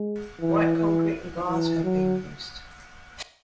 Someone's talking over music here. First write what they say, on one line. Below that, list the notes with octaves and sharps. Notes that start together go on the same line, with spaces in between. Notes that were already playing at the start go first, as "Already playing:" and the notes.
White concrete and glass have been used.
Already playing: G#3
E3
E3
E3
F#3